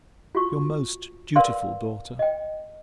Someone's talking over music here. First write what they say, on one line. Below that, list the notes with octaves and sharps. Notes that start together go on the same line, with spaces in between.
Your most dutiful DAUGHTER.
F4 F#4 C#6
A#4 B4 D5 F5 C6
D#5 G5